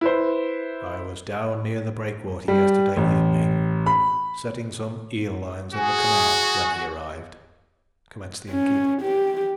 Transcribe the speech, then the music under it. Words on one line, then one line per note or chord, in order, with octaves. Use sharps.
"I was down near the breakwater yesterday evening, setting some eel-lines in the canal, when he arrived," commenced the innkeeper.
E4 B4 C5
G3
A1
B5
F#4 G#4
C#4
G4